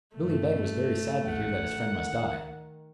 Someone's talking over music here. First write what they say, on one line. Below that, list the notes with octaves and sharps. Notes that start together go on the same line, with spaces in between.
Billy Beg was very sad to hear that his friend must die.
G2 A3
A1 F#5
D#3